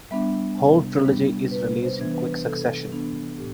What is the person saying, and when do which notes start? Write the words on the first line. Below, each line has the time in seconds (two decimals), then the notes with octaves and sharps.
Whole trilogy is released in quick succession.
0.11 G3 B3 D4 E5
0.57 C3
1.04 G3 B3 D4
1.51 C3 B4
1.82 C5
1.98 E3 B3 D4
2.13 B4
2.45 C3 A4
2.92 E3 B3 D4
3.38 A2 G4